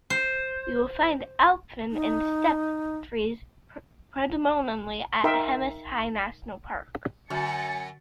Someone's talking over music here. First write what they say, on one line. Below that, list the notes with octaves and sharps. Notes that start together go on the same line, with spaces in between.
You will find alpine and steppe trees predominantly at Hemis High National Park.
C5
D#4
D#4 A#4 E5 G5 C6
F#2 D3 F#4 E5 G#5 A6 C#7